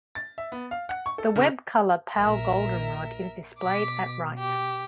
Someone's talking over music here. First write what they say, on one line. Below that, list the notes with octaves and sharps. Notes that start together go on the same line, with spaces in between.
The web color pale goldenrod is displayed at right.
A6
E5
B3
F5
F#5
C#6
A4
C#3
A#1 A#2 A#4 E5
B2 D6 B6
G4